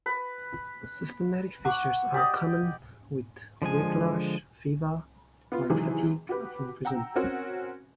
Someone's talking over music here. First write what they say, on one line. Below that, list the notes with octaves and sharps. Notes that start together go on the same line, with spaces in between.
Systemic features are common, with weight loss, fever, or fatigue often present.
B4
F#5 C#6 D6
G4 D5 D#5
D3 F3 G#3 G#5
B3 F4
C3 D#3 E3 F#3 G#3 G#4
F#4 G4 B4
F#5 G5 A#5 E6
C4 C#4 F#4 A#4